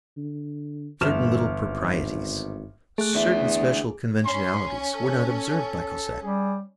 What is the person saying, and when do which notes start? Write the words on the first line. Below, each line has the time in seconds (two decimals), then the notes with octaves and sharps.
Certain little proprieties, certain special conventionalities, were not observed by Cosette.
0.17 D3
1.01 G1 E2 F6 E7
1.66 G#1
2.98 A3 G#4 F#6
3.15 E2 D3 E5
4.25 C#4 C6
4.95 A4
6.22 G3 G#4